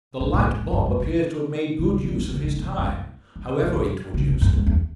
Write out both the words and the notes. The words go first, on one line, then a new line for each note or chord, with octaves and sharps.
The Light Bob appears to have made good use of his time-- however intwoduced.
B2
A#2
G2
A#2
G2
F#2
B2
C#3
C#3
E3
E3
D3
D3
B2
A#2
G2
F#2
E2
A#2
B2
C#3
B2
F#2
G2
E2